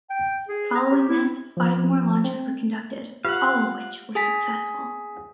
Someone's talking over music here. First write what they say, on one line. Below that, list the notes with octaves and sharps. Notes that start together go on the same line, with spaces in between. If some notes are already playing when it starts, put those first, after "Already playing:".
Following this, five more launches were conducted, all of which were successful.
G5
G#4
A#5
G4
E4
F3
C4
F4 G4 B4 F5 F#5
G#4 G#5 B6